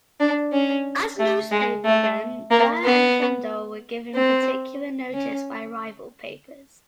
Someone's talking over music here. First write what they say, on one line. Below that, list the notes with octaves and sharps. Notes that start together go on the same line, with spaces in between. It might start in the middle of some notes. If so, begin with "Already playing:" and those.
As newspapermen, Blair and Kendall were given particular notice by rival papers.
D4
C#4
A3
G#3
A3
A#3
B3
C4
C#4